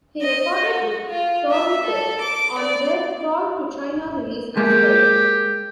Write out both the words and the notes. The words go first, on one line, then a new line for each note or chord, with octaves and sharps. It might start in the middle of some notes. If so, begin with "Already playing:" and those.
He recorded with Tourniquet on their "Crawl to China" release as well.
D#5
F#4
F4
E5
A4
D6
D5
G#3 A#3 G4